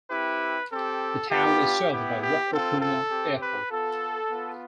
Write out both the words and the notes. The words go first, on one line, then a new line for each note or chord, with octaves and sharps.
The town is served by Waco Kungo Airport.
C4 E4 G4 B4
C4 G4 A4
B3 D4 F4 G4
B3 E4 G4
G4
C4 F4 A4
A4
C4 G4
B4
B3 F4 A4
B3 F4